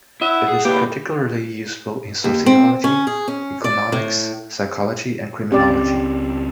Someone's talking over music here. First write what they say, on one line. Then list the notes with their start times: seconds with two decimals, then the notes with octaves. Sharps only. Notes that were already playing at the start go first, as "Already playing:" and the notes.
It is particularly useful in sociology, economics, psychology, and criminology.
0.21 E4 E5 F#5
0.48 G#4
0.65 A#3 E4 G4 B4
2.24 D#2
2.46 C4
2.84 C#4
3.07 G#4
3.28 C#4
3.64 D5
3.92 A2
5.52 C#2 C4 C#4 G4 D5